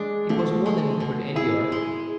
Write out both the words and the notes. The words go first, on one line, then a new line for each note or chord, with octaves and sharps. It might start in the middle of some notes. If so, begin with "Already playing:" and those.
It was more than he could endure.
Already playing: G#3 D4
B2 A3
G#3
B2
E4 G#4
G#3